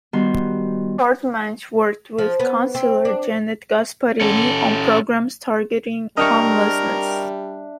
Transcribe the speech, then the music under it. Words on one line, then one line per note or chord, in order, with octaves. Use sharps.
Courtemanche worked with councillor Janet Gasparini on programs targeting homelessness.
D#3 G3 B3 F#4 C5 C6
F3
B3
C4
D4
C#4 A4
G3 C4 D4 A#4 D#5 E5 G5 C#6